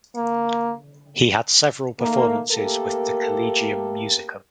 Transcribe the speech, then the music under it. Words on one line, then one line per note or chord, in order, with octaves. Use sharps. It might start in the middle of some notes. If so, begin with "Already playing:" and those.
He had several performances with the Collegium musicum.
A#3
D#3 A3 A#3
A3 A#3 G4 A4 A#4